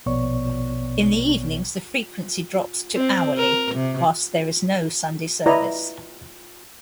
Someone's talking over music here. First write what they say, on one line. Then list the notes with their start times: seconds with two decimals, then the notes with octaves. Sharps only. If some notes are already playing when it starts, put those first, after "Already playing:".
In the evenings the frequency drops to hourly, whilst there is no Sunday service.
0.06 A#1 B2 B3 C#5 D5 C#6
2.97 C4
3.38 A#4
3.75 C3
5.46 E4 B4 D5 D#5 A#5